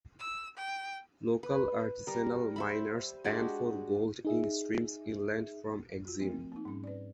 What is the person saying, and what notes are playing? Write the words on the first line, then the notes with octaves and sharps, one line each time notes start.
Local artisanal miners pan for gold in streams inland from Axim.
E6
G5
B4
G3 A#4
C5 E5 B5
G#3 D4 F#4 G4
D#4 G#4 E5
F4 F#4
F3 A3 C4 A#4
A#3 D#4
G#2 G3 C#4
B4 D5